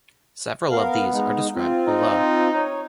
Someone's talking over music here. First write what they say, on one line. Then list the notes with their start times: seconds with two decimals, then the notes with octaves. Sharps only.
Several of these are described below.
0.72 B3 A#4 F5
1.13 G#3 D#4
1.56 C4 F4
1.89 D#4
2.55 C#5